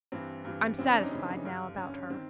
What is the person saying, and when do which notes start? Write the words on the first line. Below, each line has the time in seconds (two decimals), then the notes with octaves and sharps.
I'm satisfied now, about her.
0.12 G2 E3 C4
0.45 G2 E3
0.78 F#2 C#3 E3 C4
0.86 C#4
0.94 D4
1.03 D#4
1.11 F#2 C#3 E3 D4
1.44 G2 D3
1.77 G2 D3 C#4
1.94 C#4
2.10 D#3 C4